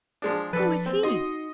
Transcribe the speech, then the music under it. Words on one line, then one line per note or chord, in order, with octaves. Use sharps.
'Who is he?
F3 G#3 D4
F3 D4 A4 B4 A6 B6
C4
D#4 F#4 D#5 C6